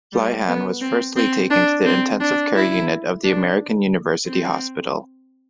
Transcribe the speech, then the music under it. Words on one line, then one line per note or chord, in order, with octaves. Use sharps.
Fleihan was firstly taken to the intensive care unit of the American University Hospital.
G3
B3
C4
C4
D4
C4
D4
E4
D4
C4